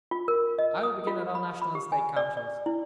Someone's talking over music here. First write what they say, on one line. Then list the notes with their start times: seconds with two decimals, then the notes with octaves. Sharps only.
I will begin at our national and State capitals.
0.11 F4
0.28 A#4
0.59 D#5
0.83 D#6
1.07 F4
1.35 B5
1.62 B5
1.75 G4
1.92 G#5
2.16 D5
2.37 D5
2.66 E4